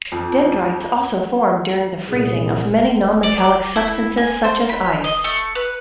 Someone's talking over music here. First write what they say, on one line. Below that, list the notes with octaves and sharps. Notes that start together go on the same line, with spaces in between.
Dendrites also form during the freezing of many nonmetallic substances such as ice.
F2
C2 A#2 G#4
D5
D5
E4
G#5
C5
B5
D#5
A3
B4